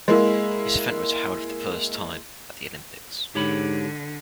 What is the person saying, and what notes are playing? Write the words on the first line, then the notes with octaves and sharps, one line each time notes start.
This event was held for the first time at the Olympics.
G#3 A#3 E4
G#2 D3 G4 C#5 B5